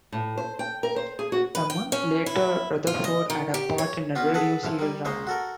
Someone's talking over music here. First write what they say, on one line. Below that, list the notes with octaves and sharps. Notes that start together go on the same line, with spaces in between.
A month later, Rutherford had a part in a radio serial drama.
A2
C5
G5
A#4
C5
G#4
F#4
B4
G5
C#4
E4
F4
D#5
D#3
G4
C#5
B3 C#4 F4 F#4
G#4 A4 B4 F#5 A5
E3 F3
D#3 G3
C#2 A#2 C5 C#5 D#5
F#4 A4 A#4